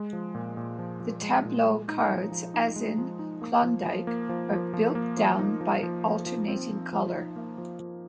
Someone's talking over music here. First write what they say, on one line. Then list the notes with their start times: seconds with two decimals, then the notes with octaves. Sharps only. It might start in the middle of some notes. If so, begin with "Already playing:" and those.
The tableau cards, as in Klondike, are built down by alternating color.
Already playing: G#3
0.13 F3
0.35 A#2
0.57 A#2
0.79 F3
1.00 F3
1.23 G#3
1.45 A#2
1.66 G#3
1.88 D#4
2.10 F3
2.32 F3
2.54 D#4
2.76 G#3
2.98 F3
3.19 D#4
3.42 A#3
3.63 F3
3.86 F3
4.07 A#3
4.29 F3
4.51 F3
4.73 F3
4.95 A#3
5.17 F3
5.39 D#4
5.61 F3
5.83 F3
6.05 F3
6.26 F3
6.48 C4
6.70 F3
6.93 F3
7.14 D#4
7.36 A#3
7.58 F3
7.80 F3